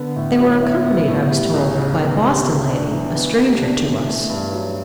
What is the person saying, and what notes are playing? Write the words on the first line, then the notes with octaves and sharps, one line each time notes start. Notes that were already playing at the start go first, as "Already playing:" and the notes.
They were accompanied, I was told, by a Boston lady, a stranger to us.
Already playing: D3 B3
A2
F#3
E4
B3
A2
G3
C#2
C#3
B3
G3
C#2
D4
E3
B3
G4
D4
E3
A3
G2
F#3